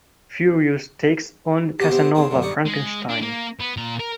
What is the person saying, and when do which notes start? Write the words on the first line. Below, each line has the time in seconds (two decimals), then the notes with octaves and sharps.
Furious takes on Casanova Frankenstein.
1.79 B3 F#4 G4
1.90 B3 C4 E4 G4
2.15 B3 C4 G#4
2.30 F#2 A2 D3
2.42 G2 D#4 D5 C#6 D6
2.65 G#3
3.09 D4
3.22 A#3
3.60 B3
3.77 A#2 A#5
4.00 A#4